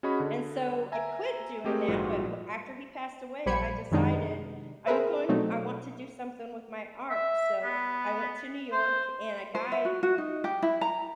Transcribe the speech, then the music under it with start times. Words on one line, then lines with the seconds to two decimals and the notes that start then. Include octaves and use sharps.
And so I quit doing that, but w after he passed away, I decided I'm going I want to do something with my art. So, I went to New York, and a guy
0.03 C#4 F#4 G#4 D#5 B5 C#6
0.20 D3
0.92 E5 G#5 A#5
1.64 A3 C4 G4 G#4 A#4
1.88 A#1 G#2 G3 F4 F#4 B4
3.46 A#1 G3 C5 B5 G#6 C#7
3.91 F#2 C3 D#3 G#3 D4 D#4
4.86 C4 G#4 A#4 B4 E5
5.29 B2 F#3 A3 C4 D#4
7.10 E5
7.64 B3
8.72 C5
9.55 C5
9.72 E5
9.85 F#4
10.03 F#4
10.18 D#4
10.44 G4
10.62 E4
10.81 A#5